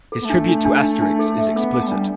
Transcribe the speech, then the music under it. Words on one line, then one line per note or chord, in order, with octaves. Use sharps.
His tribute to "Asterix" is explicit.
A4
B3
A3 D4
D4
D4
D4
D4
A4
E5
B3 A4
A4
A3
G3 D4